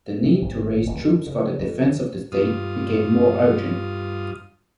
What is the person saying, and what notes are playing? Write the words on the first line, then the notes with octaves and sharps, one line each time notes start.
The need to raise troops for the defense of the state became more urgent.
C3
G#1
D1
F#2
C#3
F2
G2 F4 D#6